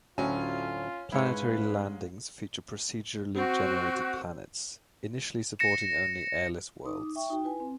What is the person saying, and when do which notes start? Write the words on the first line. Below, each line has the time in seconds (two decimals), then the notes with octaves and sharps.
Planetary landings feature procedurally generated planets, initially supporting only airless worlds.
0.18 D2 A2 F#3 C#4 F4
1.12 G#2 G#3 E4 B4 C#5 F5
3.35 C4 F#4
5.59 A#6 C#7 E7
6.85 D#4 D6 D#6
7.16 E5 G5 C#6
7.30 D#4 F#4 G5
7.44 E4 B4 G#5
7.60 C4